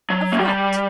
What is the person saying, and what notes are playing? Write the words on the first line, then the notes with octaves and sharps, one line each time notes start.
"Of what?"
F#3
A#3
G3